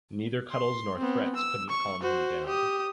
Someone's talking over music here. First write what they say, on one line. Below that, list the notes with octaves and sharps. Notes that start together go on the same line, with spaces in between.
Neither cuddles, nor threats couldn’t calm him down.
C6
B3 C4
E6
C#6
F#4 C5
G4 D#6